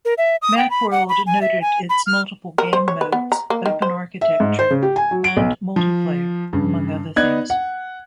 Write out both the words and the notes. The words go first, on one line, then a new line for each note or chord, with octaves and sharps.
Macworld noted its multiple game modes, open architecture, and multiplayer, among other things.
A#4
E5
D#6
G5
B5
F#5
B5
G#5
E5
G#5
B5
F6
A#4
C5
C#5
B4
B3
A#5
A#3
D#3
C5
E5
G#2
C5
C#3
G4
G#5
F#3
D7
B1
F3
G2 C#3
B3 D#4 D5 F#6 G#6
F#5